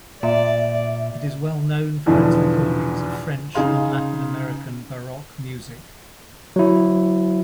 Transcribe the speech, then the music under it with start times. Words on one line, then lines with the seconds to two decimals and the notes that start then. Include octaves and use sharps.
It is well known for its recordings of French and Latin American Baroque music.
0.23 A#2 D5 E5
2.06 E2 G#2 B2 D3 E3 F3
3.55 C#3 D#4 G#4 F5 C6
6.56 F#3 E4